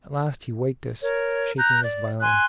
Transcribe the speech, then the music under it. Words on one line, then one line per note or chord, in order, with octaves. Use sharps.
At last he waked us, shaking us violently.
A#4 C#5
A#5 F#6 G6
D5
G#5 C6 F#6